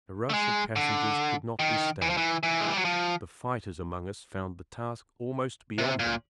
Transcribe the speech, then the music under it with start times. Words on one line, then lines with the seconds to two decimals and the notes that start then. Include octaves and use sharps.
The rush of passengers could not be stayed. The fighters among us found the task almost beyond them.
0.30 A3
0.34 G#3
0.76 D3
1.59 D#3
2.02 E3
2.10 F3
2.17 E3
2.43 E3
2.60 G#3
2.68 G3
2.77 F#3
2.85 F3
5.78 C3
5.99 A#2